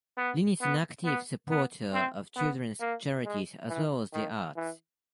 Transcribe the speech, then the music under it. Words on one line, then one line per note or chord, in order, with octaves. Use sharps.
Linn is an active supporter of children's charities as well as the arts.
B3
B3
B3
B3
C4
B3
A#3
G#3
E3
D#3
E3